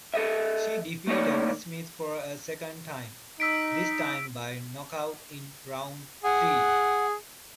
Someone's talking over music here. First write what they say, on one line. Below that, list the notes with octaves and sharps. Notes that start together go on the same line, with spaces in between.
She defeated Smith for a second time, this time by knockout in round three.
A4 D#5 E5
A3 A#3 D#4 F#4 C#5 D5
D#4 E6 B6 D7
G#4 F#5